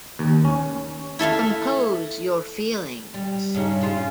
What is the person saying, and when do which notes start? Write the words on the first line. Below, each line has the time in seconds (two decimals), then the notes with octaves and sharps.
Compose your feelings.
0.19 D#2
0.45 C#4
1.19 E4 A4 E5 F5
3.14 G3
3.55 G2 C#3 D#4
3.81 C#3 F4